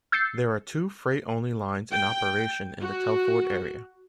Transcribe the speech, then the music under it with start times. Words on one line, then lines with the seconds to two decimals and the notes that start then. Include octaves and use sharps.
There are two freight only lines in operation in the Telford area.
0.12 E6 G6 A6 C7 C#7
1.92 G5
2.81 F#4